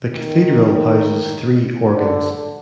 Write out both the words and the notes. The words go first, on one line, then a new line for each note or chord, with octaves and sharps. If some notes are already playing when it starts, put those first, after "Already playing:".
The Cathedral houses three organs.
D#3
D3